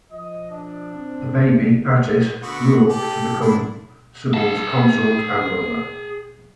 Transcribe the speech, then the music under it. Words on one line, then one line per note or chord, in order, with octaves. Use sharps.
The baby, Attis, grew up to become Cybele's consort and lover.
F3 D#5
D4
C4
G4
D3 B3 F#4
G4 A4
D4 E4
G#4 A5